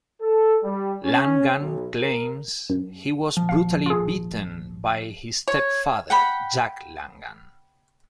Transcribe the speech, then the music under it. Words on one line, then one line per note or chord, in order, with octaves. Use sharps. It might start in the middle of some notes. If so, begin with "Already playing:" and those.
Langan claims he was brutally beaten by his stepfather, Jack Langan.
A4
G3
C#4
B1
A#4
F#2
F3
D#1 G#1 A#2 F5
F4 G#4
C#5
F#5 G5 B5